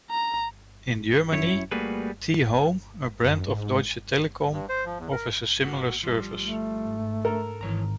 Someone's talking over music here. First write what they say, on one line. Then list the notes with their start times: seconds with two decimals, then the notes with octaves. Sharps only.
In Germany, T-Home, a brand of Deutsche Telekom, offers a similar service.
0.11 A#5
1.33 F#2 E4 C#5
1.71 G3 A3 A#3 F#4 G#4 B4
3.24 F#2
3.48 G#2
4.53 G2
4.69 C5
4.85 F3
4.99 E2
5.12 A#4
5.65 A#3 F#4
6.03 F3 G3
6.41 A3
6.79 G#2
7.25 A4 A#4
7.61 G#1 E3 C#5 A#5